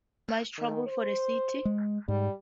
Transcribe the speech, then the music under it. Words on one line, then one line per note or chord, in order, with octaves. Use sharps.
This intense migration caused much trouble for the city.
D#3
C5
G#3
G#2 G3